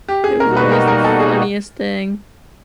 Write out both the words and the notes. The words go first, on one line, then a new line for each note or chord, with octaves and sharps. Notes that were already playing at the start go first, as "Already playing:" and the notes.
It was always the funniest thing.
G4
G#4
B2 G3 A#3 D#4 F#4 A#4
B4
A#4
A#4
A4
G#4